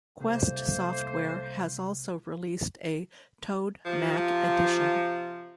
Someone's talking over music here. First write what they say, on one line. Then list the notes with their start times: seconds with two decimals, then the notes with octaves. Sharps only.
Quest Software has also released a Toad Mac Edition.
0.21 C2 A3 A#3 C5
3.85 C3 F3